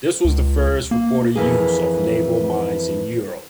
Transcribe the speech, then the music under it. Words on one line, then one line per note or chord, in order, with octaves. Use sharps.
This was the first reported use of naval mines in Europe.
C#2
A#3
F2 E3 A#3 G#4